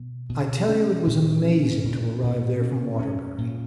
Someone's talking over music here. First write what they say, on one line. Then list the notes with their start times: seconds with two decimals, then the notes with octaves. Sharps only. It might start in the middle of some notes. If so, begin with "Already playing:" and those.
I tell you it was amazing to arrive there from Waterbury.
Already playing: B2
0.29 B2
0.69 C#4
1.07 A#2
1.45 C#4
1.84 A#2
2.23 A#2
2.60 C#4
2.99 C#4
3.38 A#2